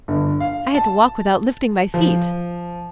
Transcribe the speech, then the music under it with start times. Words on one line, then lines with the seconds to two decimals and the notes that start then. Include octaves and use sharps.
I had to walk without lifting my feet.
0.08 G1
0.40 F5
0.75 A5
1.94 F3